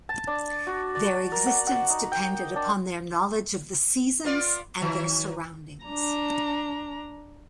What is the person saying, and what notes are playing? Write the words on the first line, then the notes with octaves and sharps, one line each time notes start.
Their existence depended upon their knowledge of the seasons and their surroundings.
A5
D4
F#4
D5
A#4
F#5
F#5
D#4
G5
D4
B3 F4 D5
D#3 F#3
D4 A#5